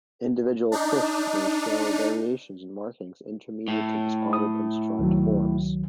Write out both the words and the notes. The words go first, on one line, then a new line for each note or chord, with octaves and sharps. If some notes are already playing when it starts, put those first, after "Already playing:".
Individual fish may show variations in markings intermediate to the spotted and striped forms.
D4 D#4
A2
D#6
C#2 D#3 F#3